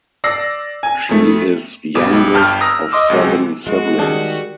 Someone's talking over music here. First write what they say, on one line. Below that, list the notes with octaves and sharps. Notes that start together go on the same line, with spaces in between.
She is youngest of seven siblings.
D5 E6 A#6 C7
G#5
F2 A3
G1 B2 G3 D6
B1
G1 G2 G5 A5 F6 G6
A#5 D#6 E6 A#6
D#5 C6 D6 E6
C#2 C3 F#3 G#3
G#3 F#4
D#3 G3 G#4 A5